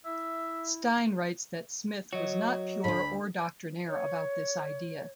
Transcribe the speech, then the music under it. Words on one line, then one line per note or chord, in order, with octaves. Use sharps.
Stein writes that Smith was not pure or doctrinaire about this idea.
E4 E5
F#3 F#4 C#5 D#5
D2 G#2 B5
C#5